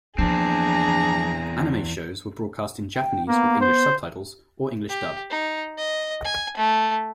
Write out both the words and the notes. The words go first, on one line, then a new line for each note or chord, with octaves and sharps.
Anime shows were broadcast in Japanese with English subtitles, or English dub.
E2 F3 A#3 C4 D4 G#4 A#5
G5
A#3 B3
C5
G4
D#4
D#5
G#5
A3